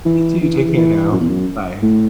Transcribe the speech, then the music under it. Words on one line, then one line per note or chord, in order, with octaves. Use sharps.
You too, take care now, bye.
E3
E3
E3
F#2
E2
F#2
A2